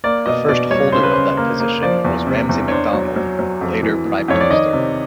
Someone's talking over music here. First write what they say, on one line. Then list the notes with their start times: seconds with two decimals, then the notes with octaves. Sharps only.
The first holder of that position was Ramsay MacDonald, later Prime Minister.
0.04 A#3 D5
0.26 B2 D#5
0.48 B2 D5
0.70 G3 C#5
0.92 C#3 C5
1.03 B4
1.13 C#3 C5
1.37 A#3
1.60 A#3
1.82 F3 D5
2.05 E2
2.27 C3
2.49 E2
2.68 C#5
2.71 D4 C5
2.93 F#3
3.16 F#3
3.39 F#3
3.61 F2
3.83 E3
4.05 E3
4.28 F2 C#5
4.41 D5
4.50 D#3 D#5
4.73 C3